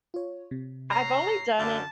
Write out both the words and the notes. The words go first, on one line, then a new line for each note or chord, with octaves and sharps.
I've only done it
F4 C#5
C3
G#2 C#5 A#5 C7
F#2 D3 F5 A5 D6